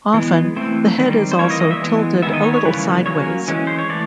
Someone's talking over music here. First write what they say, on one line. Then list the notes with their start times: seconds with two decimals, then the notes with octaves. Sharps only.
Often, the head is also tilted a little sideways.
0.14 E3 G#3 B3
0.56 E3 A3 C4 C5
0.97 D#3 G3 C4
1.32 C5
1.39 E3 G3 A#3 C#5
1.50 D#5
1.60 D#5
1.71 E5
1.81 E3 G#3 B3
2.22 D#3 G#3 B3 E5
2.34 D#5
2.43 C#5
2.54 C#5
2.65 C#3 E3 G3 A#3 C#4 B4
3.06 F#3 A#3 C#4 C#5
3.48 E3 G#3 C#4
3.67 C5
3.79 C#5
3.89 E3 A3 D5